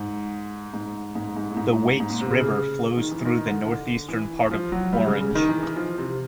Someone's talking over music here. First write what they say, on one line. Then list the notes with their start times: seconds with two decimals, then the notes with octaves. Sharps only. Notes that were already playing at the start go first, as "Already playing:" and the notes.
The Waits River flows through the northeastern part of Orange.
Already playing: G#2
0.74 G#2
1.15 G#2
1.37 G#2
1.51 A2
1.57 G#2
2.00 G#2
2.10 A#2
2.21 C3
2.31 C#3
2.97 D#3
3.11 E3
3.25 D#3
3.47 D3
3.67 D3
4.09 E3
4.51 F3
4.72 F#3
4.93 G3
5.07 C#3
5.20 C#3
5.35 D#3
5.49 E3
5.63 E3
5.76 F3
5.98 C3